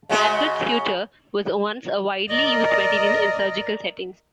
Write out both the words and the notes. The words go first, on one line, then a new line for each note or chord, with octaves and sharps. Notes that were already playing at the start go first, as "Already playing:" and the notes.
Catgut suture was once a widely used material in surgical settings.
C#3 G#3 F#4
A#4 D5 D#5